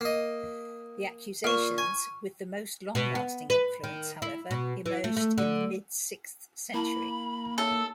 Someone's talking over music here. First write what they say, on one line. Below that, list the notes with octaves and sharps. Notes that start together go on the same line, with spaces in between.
The accusations with the most long-lasting influence, however, emerged in the mid-sixth century.
A#3 D#5
A#2 C#6 F6
G#5 C#6
B2
B3
B4
D#3
E4
B2
E3
A3
A3
D3
A#3 E4 F#5 A5 B5
D#4 A4 C#5 E5 E6